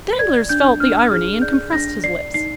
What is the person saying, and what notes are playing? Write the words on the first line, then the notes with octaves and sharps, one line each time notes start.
Danglars felt the irony and compressed his lips.
D5 G#6
D4 G6
D4 F6
G#4 F6
D5 G6
D4 A#6
D5 C7
D#4 C7